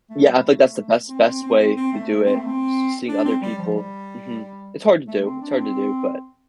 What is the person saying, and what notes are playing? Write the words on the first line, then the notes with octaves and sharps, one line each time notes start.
Yeah, I think that's the best, best way to do it, s seeing other people. Mhm. It's hard to do, it's hard to do, but
A3
G3
A3
C4
C4
C4
C4
C4
A3
A3
C4
A3
C4
D4
C4
G3
F3
G3
A3
C4
D4
C4